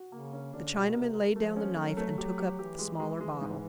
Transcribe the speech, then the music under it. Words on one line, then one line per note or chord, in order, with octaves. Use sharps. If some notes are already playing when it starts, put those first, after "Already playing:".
The Chinaman laid down the knife and took up the smaller bottle.
Already playing: F#4
C#3 A#3
C#4
D3 D4
B2 F#4
C3 A#4
A#4
F3 A3
C#4
F#3 A3
A3
F#3 G4
G4
E3 G4
G#3
G#3
G#3
G#2